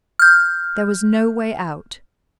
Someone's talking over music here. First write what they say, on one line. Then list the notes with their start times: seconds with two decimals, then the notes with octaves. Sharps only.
There was no way out.
0.19 F6 G6